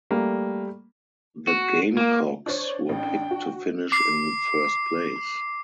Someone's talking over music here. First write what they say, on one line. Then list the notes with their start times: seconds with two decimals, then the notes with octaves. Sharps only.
The Gamecocks were picked to finish in first place.
0.11 G3 A3 A#3
1.47 F#4
1.97 A#3
2.46 D4 C5 C#5
2.89 A1 D4 G5
3.31 F#4
3.92 D6 C7